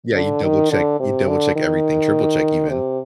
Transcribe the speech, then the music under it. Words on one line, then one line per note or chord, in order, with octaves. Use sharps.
Yeah, you double check you double check everything, triple check even.
D3
D#3
D3
C3
D3
D#3
C3